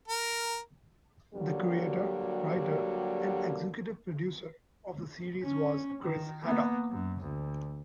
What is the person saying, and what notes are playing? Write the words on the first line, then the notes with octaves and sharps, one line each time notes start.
The creator, writer and executive producer of the series was Chris Haddock.
A#4
D3 F#3 G3 A#3 F#4 G4
C#4
D#3
A#3 B3
F#2
D2